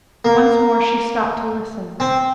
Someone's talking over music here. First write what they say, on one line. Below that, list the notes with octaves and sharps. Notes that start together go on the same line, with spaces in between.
Once more she stopped to listen.
A#3
C4